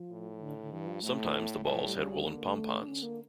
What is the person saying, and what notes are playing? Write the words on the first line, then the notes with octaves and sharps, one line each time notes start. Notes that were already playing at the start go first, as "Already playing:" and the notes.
Sometimes the balls had woolen pompons.
Already playing: F3
A2
D3
D3
G2 E3
F3
A2 A3
A2 G3
F3
G3
C#3
D3 A3
A#3
A3
D4
D3 C#4
A#3